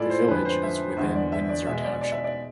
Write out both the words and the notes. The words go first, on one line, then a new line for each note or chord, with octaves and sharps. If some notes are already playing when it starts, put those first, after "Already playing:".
The village is within Winsor Township.
Already playing: A2 G#3 E4 F4 A4 D5
C5
F2 D3 G#3 B4
C5
E5
E2 D3 G#3 E5
D5
E5
D5
B2 G#3 E5
D5
D5
E5
D5